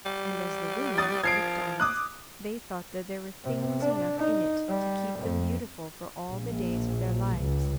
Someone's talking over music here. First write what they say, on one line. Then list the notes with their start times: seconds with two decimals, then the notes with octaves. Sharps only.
And as the women looked on it they thought that there were things enough in it to keep them beautiful for all the days of their lives.
0.06 G3
0.98 D#6 A6
1.23 F3 G#6 C7 D7
1.80 D6 D#6 F#6
3.44 C3
3.80 D4
4.17 D#4
4.68 G3
5.19 F2
6.30 A#1
7.39 C#2